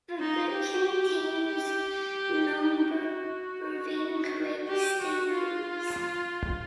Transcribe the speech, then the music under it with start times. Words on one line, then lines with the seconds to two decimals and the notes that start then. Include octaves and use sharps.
The book contains a number of incorrect statements.
0.20 D#4
0.52 G4
1.48 G4
2.76 F#4
4.68 G4
5.00 F#4
5.32 F4